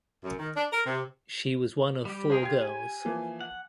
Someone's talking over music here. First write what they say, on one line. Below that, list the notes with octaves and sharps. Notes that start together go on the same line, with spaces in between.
She was one of four girls.
F#2
D#3
D4
A#4
C3
G3 G4
G#3 G#4 A#4 C5
F4 G4 G#6
G#5
E3 F3 A#3
F#5